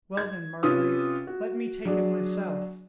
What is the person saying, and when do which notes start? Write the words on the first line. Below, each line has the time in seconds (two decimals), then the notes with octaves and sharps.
"Well, then, Marguerite, let me take it myself."
0.17 G#6
0.63 C3 C#4 F4 B4 D#6 E6
1.27 F#4
1.85 F#3 D4 G#4